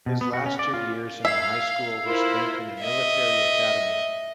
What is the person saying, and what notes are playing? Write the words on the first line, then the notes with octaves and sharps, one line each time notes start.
His last two years in high school were spent in a military academy.
B2
B3
F#4
C#4
D5
F4
E5 F5 E6 G#6 C7
E4 F4 A#4 C5
D#5 E5